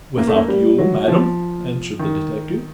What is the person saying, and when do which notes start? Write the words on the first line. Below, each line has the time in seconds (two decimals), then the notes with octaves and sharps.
"Without you, madam?" answered the detective.
0.18 A#3
0.27 A3
0.36 A#3
0.48 G3
0.78 F#3
1.08 F3
1.99 D#3